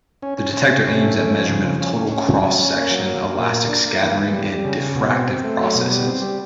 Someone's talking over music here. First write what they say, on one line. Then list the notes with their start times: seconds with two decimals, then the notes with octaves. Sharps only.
The detector aims at measurement of total cross section, elastic scattering, and diffractive processes.
0.22 C#4
0.38 C#4
0.54 C#4
0.69 C3
0.86 C#4
1.01 A3
1.18 C#4
1.32 F3
1.48 C#3
1.64 F3
1.80 C#4
1.96 C#4
2.12 C#4
2.28 F#3
2.43 C#4
2.60 C#4
2.75 A#3
2.91 F#3
3.06 A#3
3.22 A#3
3.39 A#2
3.53 A#3
3.69 D4
3.86 A#3
4.02 E3
4.16 E3
4.33 G3
4.48 G3
4.65 C#3
4.80 C#3
4.96 B2
5.12 C4
5.27 C4
5.44 A3
5.59 F#3
5.75 B2
5.91 G3
6.07 C4
6.22 G3